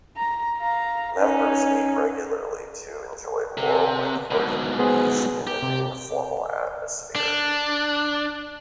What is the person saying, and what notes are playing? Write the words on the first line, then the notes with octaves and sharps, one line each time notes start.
Members meet regularly to enjoy Laurel and Hardy movies in an informal atmosphere.
A#5
F5 A#5
C#4 D#4
C3
G#2 B2
B3 G#4 C5
G4
C3
D4